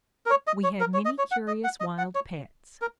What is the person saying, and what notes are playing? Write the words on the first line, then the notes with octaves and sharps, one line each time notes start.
We had many curious wild pets.
A#4
C#5
D#5
C#5
A#4
C#5
D#5
C#5
F#5
D#5
F#5
D#5
F#5
C#5
A#4